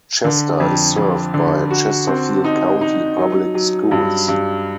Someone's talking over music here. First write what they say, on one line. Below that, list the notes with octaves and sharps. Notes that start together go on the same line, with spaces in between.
Chester is served by Chesterfield County Public Schools.
D3
F2
F2
D3
F#4
C4
D#4
D#4
F#3
F#3
G2
G2